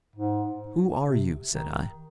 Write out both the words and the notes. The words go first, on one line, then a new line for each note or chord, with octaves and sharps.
"Who are you?" said I.
G#2
C3
D#3